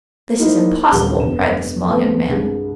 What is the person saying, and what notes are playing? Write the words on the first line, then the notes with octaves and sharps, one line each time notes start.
"This is impossible!" cried the small young man.
A#3 D#4 E4 F#4 C5
D#1 A#1 D3 G3 F#5 G7
F1 G2 B3 E7
A3 B3 C4
C2 G2 G#3